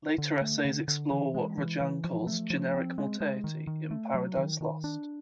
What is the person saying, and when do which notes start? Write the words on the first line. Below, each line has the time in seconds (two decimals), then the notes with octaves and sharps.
Later essays explore what Rajan calls "generic multeity" in "Paradise Lost".
0.18 D3
0.41 A3
0.65 D3
0.88 D3
1.11 E3
1.34 G#3
1.58 E3
1.81 E3
2.04 F3
2.27 A3
2.50 F3
2.74 C4
2.98 G#3
3.20 G#3
3.44 D#3
3.67 D#3
3.91 A3
4.14 F#3
4.37 D#3
4.61 D#3
4.84 D4